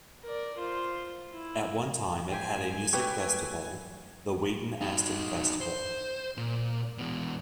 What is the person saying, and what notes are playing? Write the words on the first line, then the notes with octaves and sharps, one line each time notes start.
At one time it had a music festival, the Wheaton Aston Festival.
A#4 D5
F4 C5
E4
G#2 F4 G4 G5 G#5
F#3 A3 E4 G4 B4 G5 C#6
D#4 F#4
C5
A#2
E2 B2